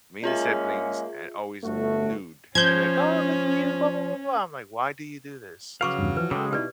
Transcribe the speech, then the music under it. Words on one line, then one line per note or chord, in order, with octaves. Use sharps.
Me and the siblings and always nude, and they're like, "Oh, look at you, blah, blah, blah, blah." I'm like, "Why do you do this?
G#3 A#3 C#4 F4 G#4 E5
G1 A3 F#4
F3 C#4 G6 G#6
C#3 F#3 B4 F5 C#6 D6
E2 G2
E3 F3 B4
C#3 G#3 A4 G5 D6 E6
B2 D#4 E4 G4 B4 D5